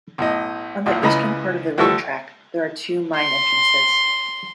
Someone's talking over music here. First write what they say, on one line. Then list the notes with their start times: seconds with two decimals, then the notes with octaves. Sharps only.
On the eastern part of the Ring Track there are two mine entrances.
0.18 B1 A2 D#5
0.86 B1 E2 A#2
1.03 C#2 C#3 E3 D#5 A#5 B5
1.78 D2 F3 G3 A4 C#6 E6
3.16 C6